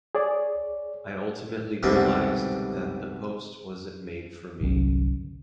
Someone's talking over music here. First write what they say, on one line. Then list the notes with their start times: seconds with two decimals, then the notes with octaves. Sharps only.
I ultimately realized that that post wasn’t made for me.
0.15 G#4 C#5 D5
1.83 C2 G#2 B2 D3 G3 C4
4.61 G1 C2 F#3 C#4